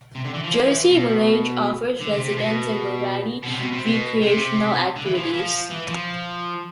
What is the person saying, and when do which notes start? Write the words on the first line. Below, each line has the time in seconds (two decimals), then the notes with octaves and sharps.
Jersey Village offers residents a variety of recreational activities.
0.15 C3
0.25 D3
0.34 E3
0.44 F3
0.53 G#3
0.62 F3
0.70 E3
0.89 B2
2.00 D3
2.12 C3
2.24 C3
2.37 B2
3.43 B2
3.48 C3
3.60 B2
3.73 C3
3.86 B2
4.22 C3
4.96 D3
5.05 E3
5.15 F3
5.23 E3
5.33 F3
5.70 E3
5.88 F3